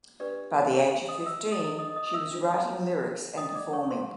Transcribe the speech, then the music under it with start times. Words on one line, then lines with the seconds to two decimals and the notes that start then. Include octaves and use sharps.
By the age of fifteen she was writing lyrics and performing.
0.20 D4 G4 B4 D5
0.72 G4 G5
1.08 D#5 D#6
1.26 E5 E6
1.52 D#5 D#6
1.79 D#5 D#6
1.96 D#5 D#6
2.07 D#6
2.13 E5 E6
2.31 D4 F4 A4 C5
3.37 D#5 D#6
3.55 D5 D6
3.73 C#5 C#6
3.83 C#6
3.90 C5 C6